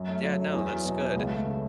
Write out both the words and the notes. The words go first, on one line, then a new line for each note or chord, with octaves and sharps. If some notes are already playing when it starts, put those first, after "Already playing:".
Yeah, no, that's good.
Already playing: F#2
A3
F#3
F#2
E2
F#3
B2
B3
C#2
A3
C#3